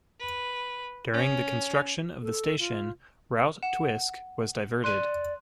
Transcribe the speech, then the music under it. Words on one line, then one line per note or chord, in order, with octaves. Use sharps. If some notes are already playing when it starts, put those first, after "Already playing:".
During the construction of the station, Route Twisk was diverted.
B4
C#4
A4
F4
F#5 E7
D5 C6 F#6 D#7